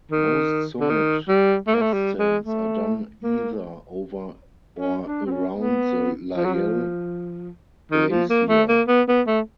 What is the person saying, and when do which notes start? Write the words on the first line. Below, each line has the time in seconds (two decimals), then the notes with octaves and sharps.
Most summit ascents are done either over or around the Lyell Glacier.
0.11 D#3
0.80 D3
0.90 D#3
1.29 G3
1.67 A3
1.74 A#3
1.82 A3
1.93 G3
2.19 G#3
2.46 A3
3.23 A#3
4.79 C#4
5.05 D4
5.26 C4
5.31 C#4
5.57 B3
6.36 F3
6.44 F#3
6.54 F3
7.92 D#3
8.10 F3
8.30 A#3
8.49 A3
8.68 A#3
8.88 B3
9.08 B3
9.27 A3